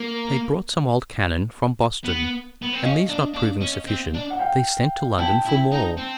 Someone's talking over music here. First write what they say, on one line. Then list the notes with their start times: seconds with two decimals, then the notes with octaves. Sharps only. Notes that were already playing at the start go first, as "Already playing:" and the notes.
They brought some old cannon from Boston, and these not proving sufficient, they sent to London for more.
Already playing: A#3
2.04 B3
2.62 B3
2.73 C4
2.83 C#4 D#5 F5
3.09 D4
3.34 D4
3.61 C#4
3.87 C4
4.14 D4
4.30 F#5
4.39 F5 G5
5.18 E4 G5 A5
5.45 E4
5.72 D#4
5.98 C4